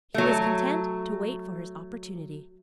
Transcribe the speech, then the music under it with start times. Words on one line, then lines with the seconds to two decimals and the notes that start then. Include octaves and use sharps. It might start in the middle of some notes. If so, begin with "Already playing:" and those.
He was content to wait for his opportunity.
0.14 F#3 A3